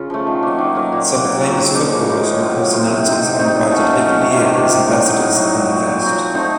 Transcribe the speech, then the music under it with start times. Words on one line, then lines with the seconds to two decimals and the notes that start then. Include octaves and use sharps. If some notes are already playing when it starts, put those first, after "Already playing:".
Some famous footballers and personalities are invited every year as ambassadors in the fest.
Already playing: C#3 F4
0.10 F3 A3
0.27 D#3
0.43 F#3 A#3
0.58 D#3
0.75 F#3 A#3
0.92 A#2
1.08 F#3 C4
1.25 A#2
1.42 F#3 C4
1.58 C#3
1.74 F3 A#3 D#4
1.91 C#3
2.06 F3 A#3 D#4
2.23 A2
2.40 F#3 C4 F4
2.57 A2
2.73 F#3 C4 F4
2.90 C3
3.06 F#3 C4 D#4
3.22 C3
3.39 F#3 C4 D#4
3.55 A#2
3.72 A3 C#4 F#4
3.88 A#2
4.05 A3 C#4 F#4
4.21 C3
4.37 D#3 A#3 F4
4.53 C3
4.70 D#3 A#3 F4
4.87 A2
5.03 F#3 C4 D#4
5.19 A2
5.36 F#3 C4 D#4
5.52 A#2
5.69 F#3 C4
5.86 A#2
6.01 F#3 C4
6.18 F3
6.34 A3 C4 D#4